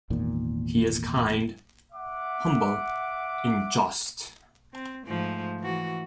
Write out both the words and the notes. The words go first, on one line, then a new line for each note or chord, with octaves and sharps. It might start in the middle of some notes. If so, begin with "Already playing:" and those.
He is kind, humble and just.
G#1 E2 A#2 D#3
E5 F#5 D6
C4
G#2 F3 A3
E3 F#4